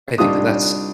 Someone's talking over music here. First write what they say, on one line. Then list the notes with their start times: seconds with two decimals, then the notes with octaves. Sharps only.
I think that that's
0.18 C2 D4 D#4 F4 G4 D#6